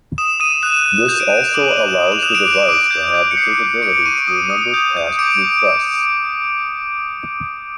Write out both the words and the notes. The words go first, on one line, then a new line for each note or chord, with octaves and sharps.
This also allows the device to have the capability to remember past requests.
D#6 E7
D#6 D#7
F#6 E7
F#6
G6 F7
D7
D#6 D#7
E7
F7
D6 F#7
D6 E7
D#6
F7
F#6 E7
D7
D6
D6
G6
G6
C#7
F#6 C7
F#6
C#6 D7
C#6 D#7
D#6
D#6
G6
G6
D6 D7